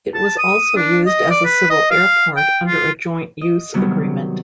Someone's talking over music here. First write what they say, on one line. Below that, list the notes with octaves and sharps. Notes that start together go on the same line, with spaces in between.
It was also used as a civil airport under a joint-use agreement.
A5
D#6
D4
D#5
D5
B4
D#5
F5
G5
F4
D#5
C3 D#3 F#3 G3 B3